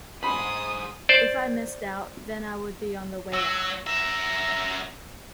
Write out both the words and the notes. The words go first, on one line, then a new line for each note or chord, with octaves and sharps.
If I missed out then I would be on the way out.
G#4 C5 B5 D#6
C5 D5
F#3 E6
F#2 E5 A#5